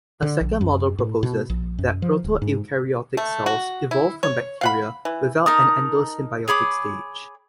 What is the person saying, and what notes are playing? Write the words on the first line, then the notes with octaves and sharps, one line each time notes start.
A second model proposes that proto-eukaryotic cells evolved from bacteria without an endosymbiotic stage.
D3
A#1
F#2
A2
B2
A#1
F#2
F3
D1
G#2
A3
F#4
E4
C#5
F5 F#5 B5
E3
D#4 A#4 A5 D#6
G#4 C#5 B5 D6